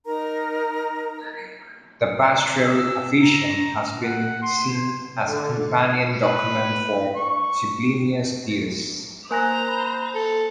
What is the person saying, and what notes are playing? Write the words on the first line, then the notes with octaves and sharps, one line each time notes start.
The "Pastorale Officium" has been seen as a companion document for "Sublimis Deus".
D#4 A#4 A#5
E6
A#5
F#5
C6
D3
B4
C#6
A#3 A#4 C5 G#5 A#5 F#6 A#6
B5
A4